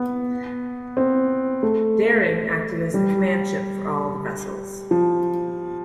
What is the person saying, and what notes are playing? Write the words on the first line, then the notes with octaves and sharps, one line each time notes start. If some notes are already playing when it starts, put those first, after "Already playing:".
"Daring" acted as the command ship for all the vessels.
Already playing: B3
C4
A3
G3
F3